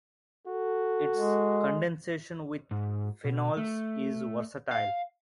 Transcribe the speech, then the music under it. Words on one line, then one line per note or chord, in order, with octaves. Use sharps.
Its condensation with phenols is versatile.
F#4 A4
G#3
G#2
B2
A3
F5